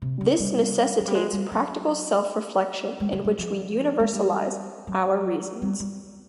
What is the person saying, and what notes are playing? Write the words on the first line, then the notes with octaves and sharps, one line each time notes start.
This necessitates practical self-reflection in which we universalize our reasons.
C3
C#3
G3
F#3
G3
G#3
G3
F#3
G#3
D3
G3
F3
G#3
G3
F#3
G3
G3